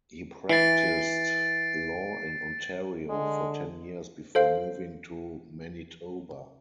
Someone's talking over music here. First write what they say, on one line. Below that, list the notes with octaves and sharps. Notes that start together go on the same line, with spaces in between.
He practiced law in Ontario for ten years before moving to Manitoba.
E3 A6 C7 D7
D3 G#3
A4 C5 F5